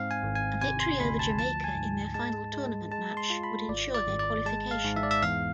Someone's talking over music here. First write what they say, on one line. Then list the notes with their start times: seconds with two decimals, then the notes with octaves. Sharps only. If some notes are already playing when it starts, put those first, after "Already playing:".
A victory over Jamaica in their final tournament match would ensure their qualification.
Already playing: G#2 C4 F5
0.11 G#5
0.23 G#1
0.35 G#5
0.61 C3 G#5
0.80 C6
1.00 D2 B5
1.19 A5
1.38 F3 A5
1.64 G#5
1.76 G#2
2.14 G#3 A5
2.53 G#3
2.92 G#3 A5
3.17 C6
3.30 F4
3.43 B5
3.69 G#1 D5
3.94 D5
4.07 G#1
4.19 D5
4.46 G#3 A5
4.71 F5
4.84 G#2
4.96 E5
5.03 D5
5.11 E5
5.23 E2 F5